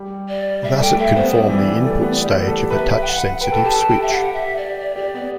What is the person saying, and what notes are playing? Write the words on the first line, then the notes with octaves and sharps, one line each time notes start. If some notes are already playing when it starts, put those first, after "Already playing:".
Thus it can form the input stage of a touch-sensitive switch.
Already playing: G3
D5
G3 E5
A3 G5
A3 E5
B3 C5
G3 D5
E3
G3
A3
B3
G4
A4
B4 E5
G5
F#5
B4 G5
A4
G4 A5
A4
G5
E5
G4 F#5
E5
D5
D5
G4 D5
B3 D5